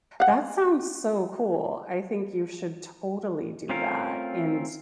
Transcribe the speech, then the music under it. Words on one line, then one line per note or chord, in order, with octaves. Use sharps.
That sounds so cool, I think you should totally do that, and
F5 F#5
A3 C4 C#4 F4 A#4